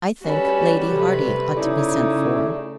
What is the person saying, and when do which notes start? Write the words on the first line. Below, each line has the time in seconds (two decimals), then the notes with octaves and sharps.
"I think Lady Hardy ought to be sent for."
0.25 G3 C#4 F#4 A4 B4
0.93 C3 A3 B4
1.57 C#3 D#4 E4 G#4 D5